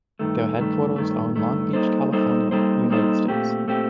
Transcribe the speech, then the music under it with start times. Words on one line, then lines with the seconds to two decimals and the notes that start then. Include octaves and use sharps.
Their headquarters are in Long Beach, California, United States.
0.19 G2 D#3 A3
0.57 G2 D#3 A3
0.96 G2 D#3 A3
1.36 G2 D#3 A3
1.73 G3 A#3 D#4 A4 C5
2.12 G3 A#3 D#4 A4 C5
2.51 G3 A#3 D#4 A4 C5
2.90 G3 A#3 D#4 A4 C5
3.28 A#2 A3 C4 G4
3.68 A#2 A3 C4 G4